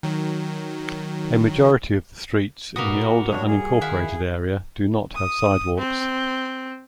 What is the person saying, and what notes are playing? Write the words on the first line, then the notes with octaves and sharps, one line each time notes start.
A majority of the streets in the older unincorporated area do not have sidewalks.
D#3 F#3
A#2 A#3 F#4 A#4 B4 D#6
G3 D4 C#5
G#4
D#3 E4 F5 F#5
D#6
C4